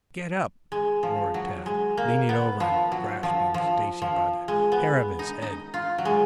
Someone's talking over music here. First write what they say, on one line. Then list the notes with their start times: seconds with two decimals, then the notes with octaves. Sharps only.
"Get up!" roared Tad, leaning over and grasping Stacy by the hair of his head.
0.72 G#3
1.03 F3
1.34 F#3
1.66 G#3
1.97 A#3
2.29 B3
2.60 F3
2.92 F#3
3.23 F3
3.54 F3
4.02 F3
4.48 G#3
4.72 B3
5.19 D#4
5.42 D#4
5.74 F4
5.98 F#3
6.05 G#3